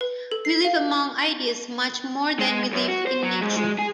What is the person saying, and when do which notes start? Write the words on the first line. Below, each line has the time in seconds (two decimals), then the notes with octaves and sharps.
We live among ideas much more than we live in nature.
0.01 B4
0.32 A4
0.45 C7
0.65 F5
2.40 G#3
2.73 F#2
2.88 F#4
3.07 C5
3.23 F#3
3.42 G#2
3.57 G#3
3.79 G#4